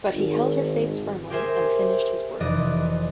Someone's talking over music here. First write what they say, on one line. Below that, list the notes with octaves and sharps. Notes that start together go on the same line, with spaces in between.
But he held her face firmly and finished his work.
G#1
G4 G#4 A#4 C5 E5 G#5
F1 E3 D5 D#5 D#6